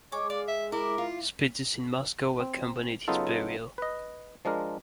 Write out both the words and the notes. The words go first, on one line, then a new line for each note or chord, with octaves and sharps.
Speeches in Moscow accompanied his burial.
G#3 C#5 D6
D5 F5
E5
E4 A#4 D6
F4
C4
C#3 F#3 B3 D#4 F4 A4
B4 D#5
F3 G#3 D4 A#4